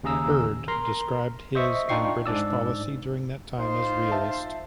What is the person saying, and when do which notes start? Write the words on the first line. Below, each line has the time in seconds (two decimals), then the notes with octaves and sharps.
Hurd described his and British policy during that time as 'realist'.
0.03 D#2 C#3 G#4 A#5 E6
0.68 A#4 A#5 C6
1.55 C5 D#5 E5 C#6
1.89 D4 D#4 F4 G5 C#6 C7
2.26 G#2 D4 D5 E6
3.60 D#4 F4 C5
4.12 E5 A5